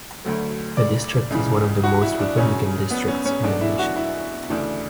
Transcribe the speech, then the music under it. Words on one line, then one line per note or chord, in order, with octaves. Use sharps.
The district is one of the most Republican districts in the nation.
D2 D3 F#3 A3
D5
C#2 C#3 E3
F#4
E4
D4
F#2 C#3 F#3 C#4
B3
C#4
C#4
E2 B2 F#3 A3 D4
E4
F#4
E4
D2 C#3 E3 A3 D4